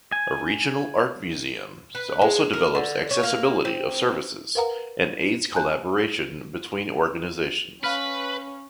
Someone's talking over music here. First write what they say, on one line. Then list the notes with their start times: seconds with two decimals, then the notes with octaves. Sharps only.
A regional art museum also develops accessibility of services and aids collaboration between organizations.
0.12 G#5
1.95 B4
2.21 G#3
2.53 A#4
2.75 D3
3.11 C#5
3.23 A#3
3.65 C4
4.55 A#4 B4 F5 F#5 A#5
5.54 G#5 A5 F#6 G6
7.84 C#4 B4 F5 B5 F6